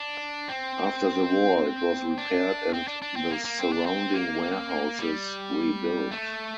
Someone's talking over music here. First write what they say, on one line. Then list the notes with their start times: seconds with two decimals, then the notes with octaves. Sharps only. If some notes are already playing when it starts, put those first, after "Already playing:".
After the war, it was repaired and the surrounding warehouses rebuilt.
Already playing: D4
0.49 C4
2.18 D4
2.73 C4
2.88 D4
3.02 D4
3.16 C4
3.31 A#3
3.45 A#3
3.59 C4
3.72 D4
3.86 C4
4.14 A#3
4.99 G3
6.11 A3